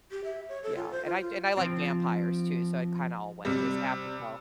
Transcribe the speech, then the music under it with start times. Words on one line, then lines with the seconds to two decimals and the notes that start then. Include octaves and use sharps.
yeah, and I j and I like vampires too, so it kinda all went, it was apropos.
0.11 G4
0.24 E5
0.49 C#5
0.64 A4
0.76 F4
0.91 C5
1.05 F4
1.21 F4
1.57 F3 C4
3.45 C3 G3